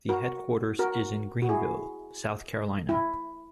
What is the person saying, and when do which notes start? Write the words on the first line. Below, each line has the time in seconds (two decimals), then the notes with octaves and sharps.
The headquarters is in Greenville, South Carolina.
0.09 F#4 A#4
0.79 F#4 A#4
1.42 F#4
1.49 E4 G#4
2.89 E4